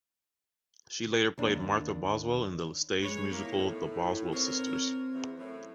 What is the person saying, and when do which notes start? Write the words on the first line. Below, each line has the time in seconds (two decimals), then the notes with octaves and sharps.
She later played Martha Boswell in the stage musical "The Boswell Sisters".
1.38 D#2 C#4 D4
3.03 F2 G#3 B4 C#5
3.31 A#3 B3 D#4 E4
3.57 A2
4.32 C4 F4 A#4 C5 C#5
5.13 E2
5.38 F#2 A2